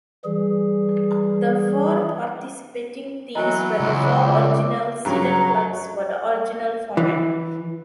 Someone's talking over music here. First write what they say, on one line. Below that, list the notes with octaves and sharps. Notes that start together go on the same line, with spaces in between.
The four participating teams were the four original seeded clubs for the original format.
E3 G3 G#4
E3 F#3 D#5 A#5
C#2
F4 D5 D6
G2 C#3 F#3 A#5
E3